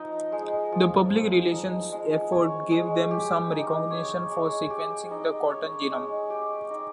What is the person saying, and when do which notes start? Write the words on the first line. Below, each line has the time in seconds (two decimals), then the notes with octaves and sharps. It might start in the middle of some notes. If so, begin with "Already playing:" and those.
This public relations effort gave them some recognition for sequencing the cotton genome.
Already playing: F3 D#4
0.32 G#3
0.72 F3
1.13 F3
1.51 D#4
1.92 G#3
2.32 C#5
2.71 G#3
3.11 G4
3.51 D#4
3.90 C#5
4.31 G#3
4.70 G4
5.11 D#4
5.50 C#5
5.91 G#3
6.30 G4
6.70 D#4